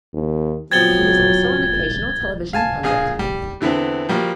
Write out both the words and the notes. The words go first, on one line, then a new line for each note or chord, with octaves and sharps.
He is also an occasional television pundit.
D#2
F3 F#3 B3 C4 G#6 A6 G7
F5 G#5 A5
A#1 G#4 F5 G#5 D#6
G3
E2 D3 E3 B3 C4
F3 G3 A#3 F#4